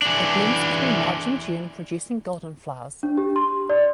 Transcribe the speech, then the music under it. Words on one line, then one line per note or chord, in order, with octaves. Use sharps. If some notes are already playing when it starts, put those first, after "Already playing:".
It blooms between March and June producing golden flowers.
E3 D4
D4
G4
C6
D5